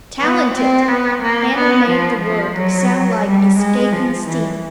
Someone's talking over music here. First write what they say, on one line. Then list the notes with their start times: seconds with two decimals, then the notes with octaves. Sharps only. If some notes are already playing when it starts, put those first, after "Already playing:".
"Talented!" Anna made the word sound like escaping steam.
0.21 B3
0.54 C4
0.88 B3
1.22 A#3
1.56 B3
1.89 F3
2.23 F3
2.57 F#3
3.24 G3
3.59 G#3
3.92 F3
4.26 E3